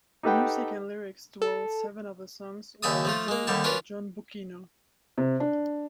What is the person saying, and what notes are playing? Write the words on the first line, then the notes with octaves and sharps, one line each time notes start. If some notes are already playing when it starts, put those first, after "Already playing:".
Music and lyrics to all seven of the songs were written by John Bucchino.
D#4 G4 A4 B4 F#5 G5
A4
D#2 C#3 E5 A5 D#6
F3 A3 F4
G#3 A#3
D#2 D3 G3 A5
C#4 D4 F4 A#4 B4
C3
D4